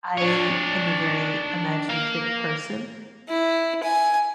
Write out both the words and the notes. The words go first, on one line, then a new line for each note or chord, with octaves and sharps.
I am a very imaginative person.
D4 C#5
A#3 F5
E4
G#5